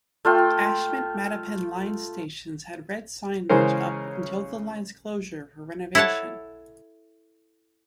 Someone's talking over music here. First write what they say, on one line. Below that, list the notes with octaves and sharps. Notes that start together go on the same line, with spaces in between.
Ashmont-Mattapan Line stations had red signage up until the line's closure for renovation.
A3 F4 G5
C#3 E3 G#3 C#4 A#4 C5
E4 A4 C#5 F#5 A5